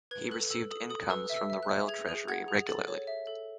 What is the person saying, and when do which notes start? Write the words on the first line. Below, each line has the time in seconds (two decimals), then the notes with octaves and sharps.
He received incomes from the Royal Treasury regularly.
0.11 B4 G#6
0.31 A4 F#6
0.50 A4 E6
0.71 A4 D#6
0.90 A4 D#6
1.10 B4 E6
1.29 E5
1.36 E6
1.50 E5
1.63 F#6
1.69 E5
1.88 G#4 G#6
2.09 G#4
2.28 F#5 G#6
2.48 G#4
2.67 A4 A6
2.88 C#5
3.07 E5
3.27 A4